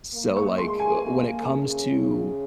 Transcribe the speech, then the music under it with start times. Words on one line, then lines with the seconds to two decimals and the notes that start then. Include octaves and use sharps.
so, like, uh, when it comes to
0.14 A#3
0.37 C#6
0.58 G#3 C6
0.80 G#5
1.01 A#3
1.45 C#3
1.88 C#3